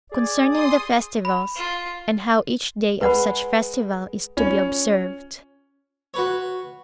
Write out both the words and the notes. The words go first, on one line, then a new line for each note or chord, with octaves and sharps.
Concerning The Festivals; And How Each Day Of Such Festival Is To Be Observed.
G#4 D5
C6 D#6
B5
F4
G#3 B4 F#5 B5
C#4 F4 C#5
F#4 B4 C#5